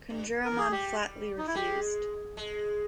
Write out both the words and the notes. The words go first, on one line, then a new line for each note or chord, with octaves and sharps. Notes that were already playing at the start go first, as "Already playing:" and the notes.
Kunjuraman flatly refused.
G2
A#4
E3
G#4
G3 G4
D#4
E4
G#3 G4
G#3